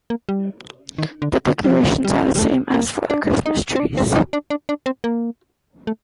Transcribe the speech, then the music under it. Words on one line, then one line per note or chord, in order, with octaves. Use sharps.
The decorations are the same as for Christmas trees.
A#3
G3
D#3
D3
D3
G3
F3
G3
G3
A3
A#3
D4
D#4
C4
D4
C4
D#4
D4
D4
D4
C4
A#3
A3